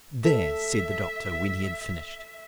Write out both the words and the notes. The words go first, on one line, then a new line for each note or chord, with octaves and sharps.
"There!" said the doctor when he had finished.
A4 E5